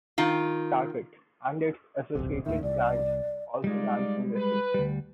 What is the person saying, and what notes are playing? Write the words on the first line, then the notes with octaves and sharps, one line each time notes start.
Target, and its associated brands, also ran some races.
D#3 F4
D1 B1 C3
D#2 A2 D#3 E5
C2 D5
G3 G#3 D#4 F4 D5
B4
D2 G3